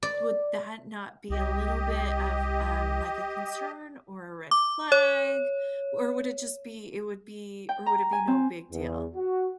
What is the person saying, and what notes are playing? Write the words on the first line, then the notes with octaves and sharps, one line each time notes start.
would that not be a little bit of, um, like, a concern or a red flag? Or would it just be it would be or would it be no big deal?
D5
C2 G4 D#5
D6
C#5
G5
A#5
G#5
C4
E2
F#4